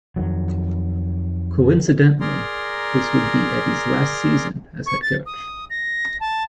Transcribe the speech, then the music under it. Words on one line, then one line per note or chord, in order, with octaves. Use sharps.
Coincidentally, this would be Eddie's last season as head coach.
F2 D#3 F#3
G#4 A#4 D5 A#5 C6
C#6
A6
D#6
A#6
A5